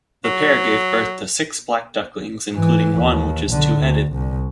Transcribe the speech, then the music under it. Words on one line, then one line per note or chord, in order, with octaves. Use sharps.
The pair gave birth to six black ducklings including one which is two-headed.
F#3
G#2 E3
D#2
B1 D3
D2
C2